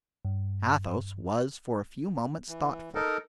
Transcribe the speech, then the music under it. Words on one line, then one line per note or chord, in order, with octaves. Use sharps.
Athos was for a few moments thoughtful.
G2
E3
D#4 A4 A#4